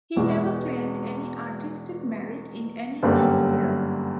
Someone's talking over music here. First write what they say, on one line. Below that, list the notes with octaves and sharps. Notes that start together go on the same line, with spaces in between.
He never claimed any artistic merit in any of his films.
E1 E2 B2 G#3
G1 F#2 D3 G3 A#3